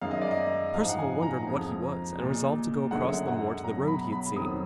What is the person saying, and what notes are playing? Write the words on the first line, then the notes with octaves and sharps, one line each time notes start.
Perceval wondered what he was, and resolved to go across the moor to the road he had seen.
F#2 D#3 G#3 F5
D#5
D5
D#5
G#2 F3 G#3 F5
F#5
G#5
A#5
F2 F3 G#3
A#2 G#3
F#2 D3 G#3 F#5
F#5
B2 F#3 A#5
B5
B5
F2 D#3 F#3 D#6